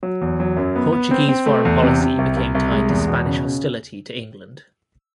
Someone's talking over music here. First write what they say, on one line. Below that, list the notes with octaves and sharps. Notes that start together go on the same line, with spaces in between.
Portuguese foreign policy became tied to Spanish hostility to England.
F#3
E2
F#3
F#2
B3
B3
C4
C4
A3
E2
C3
C3
C2
C2
C2
G#3
E2
B2
C#3
C#3